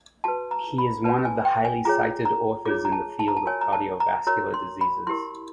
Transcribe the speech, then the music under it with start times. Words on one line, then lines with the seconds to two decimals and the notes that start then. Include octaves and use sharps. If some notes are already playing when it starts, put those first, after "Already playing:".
He is one of the highly cited authors in the field of cardiovascular diseases.
0.24 F#4 B4 A5
0.51 A#5
0.78 B5
1.04 F#4 B4 A5
1.25 G#5
1.45 G5
1.65 G#5
1.85 F4 G#4 C#5 A#5
2.25 A#5
2.65 F4 G#4 C#5 D6
2.85 A#5
2.92 A5
3.19 A5
3.28 A#5
3.37 A5
3.46 F#4 A#4 C#5 G#5
3.61 A#5
3.73 A5
4.00 A#5
4.27 F#4 A#4 C#5 A#5
4.54 C6
4.81 B5
5.07 E4 G4 A#4 C6